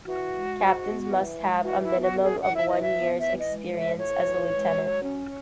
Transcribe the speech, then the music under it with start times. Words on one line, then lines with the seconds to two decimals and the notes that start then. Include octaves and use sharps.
Captains must have a minimum of one year's experience as a lieutenant.
0.06 E3 F#4
0.33 G#3
0.60 G#2
0.85 B3
1.11 E3
1.37 G#3
1.63 E3 F#4
1.84 E4
1.89 B3
2.03 F#4
2.16 F#2
2.22 G#4
2.42 E4 F#5
2.56 E5
2.68 E3 D#5
2.82 E5
2.95 B3
3.20 E3 E5
3.40 D#5
3.46 G#3
3.72 A2
3.79 E5
3.98 A2 C#5
4.26 E3
4.51 G#3
4.77 F#3
5.03 C#4